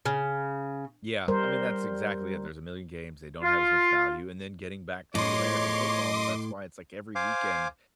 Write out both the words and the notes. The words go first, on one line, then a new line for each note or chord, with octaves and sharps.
Yeah. I mean, that's exactly it, there's a million games, they don't have as much value, and then getting back to American football, that's why it's like every weekend
C#3
G3 A#4 C5
F4
E2 A2 F3 C#5 D#5 C6 D6
C5 F5 G#5 D6